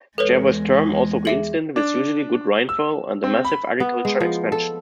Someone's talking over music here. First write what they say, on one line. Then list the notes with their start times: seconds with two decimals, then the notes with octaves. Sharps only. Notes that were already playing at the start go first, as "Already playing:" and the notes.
Jervois' term also coincided with unusually good rainfall and a massive agricultural expansion.
0.18 E2 G#3 A4 B4 C#5
1.25 G#4 E5 F#7
1.76 D4
2.69 E6
3.24 C4
3.45 B5
3.80 B3
4.05 G#3
4.20 F3
4.52 A4